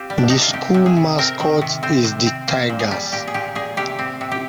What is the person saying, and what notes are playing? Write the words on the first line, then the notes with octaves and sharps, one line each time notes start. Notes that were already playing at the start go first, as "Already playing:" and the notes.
The school mascot is The Tigers.
Already playing: C4 F4 G4
G3
D4
C3 D#4
F4
C3 G4
C3
G#4
C3
C4 A#4
D#3
C3
C4 C5
C3
C4
A#3 C5
A#2
G#4
G3
A#2 G4
G#4
A#2 G4
A#2 G#4
C3 G4
C4
C3
G4